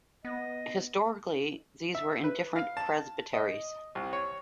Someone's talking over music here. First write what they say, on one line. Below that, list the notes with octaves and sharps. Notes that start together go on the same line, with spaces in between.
Historically these were in different presbyteries.
B3 D#5
E5
B4
F5
A5
D#5
C2
C#5